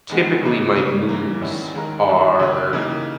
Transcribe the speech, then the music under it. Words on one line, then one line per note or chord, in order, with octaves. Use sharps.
Typically my moods are
E2 D#3 G#3 B3
C#3 E3 A#3 D#4
C#3 G3 A#3 C#4
G#2 E3 A#3
E2 D#3 G3 C#4 E4
D#2 D#3 G#3 D#4 A#4
E2 D#3 G3
D#2 C#3 G3 C#4 G4
C#3 E3 A#3 D#4 G4